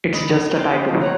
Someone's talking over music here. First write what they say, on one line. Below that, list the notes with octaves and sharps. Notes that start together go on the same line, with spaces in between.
It's just a title.
D#5 B5 D6
G5 C6 D6
G4 C5 D#5
F4 D#5 A5
C5 C#5 F#5 A#5